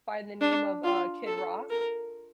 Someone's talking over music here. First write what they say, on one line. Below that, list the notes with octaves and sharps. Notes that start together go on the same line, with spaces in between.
by the name of, uh, Kid Rock
D4
F4
A4
A#4